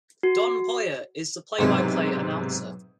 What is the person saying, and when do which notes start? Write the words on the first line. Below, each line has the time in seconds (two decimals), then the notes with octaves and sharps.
Don Poier is the play-by-play announcer.
0.23 F#4
1.59 B1 G#2 C3 G#3 E4